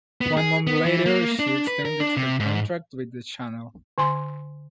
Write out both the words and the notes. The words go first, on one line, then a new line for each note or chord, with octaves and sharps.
One month later she extended her contract with the channel.
B3
G#4
B3
E3
A#3
D4
B4
A#4
D4
C3
G#2
D3 G#5 C6